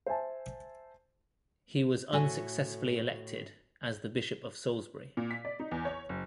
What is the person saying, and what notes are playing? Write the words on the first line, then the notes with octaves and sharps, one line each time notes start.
He was unsuccessfully elected as the Bishop of Salisbury.
C5 E5 G#5 A5
A2 F#4 A4 G#5
A#2
B6
D5
D#4
E2
C#5
F#1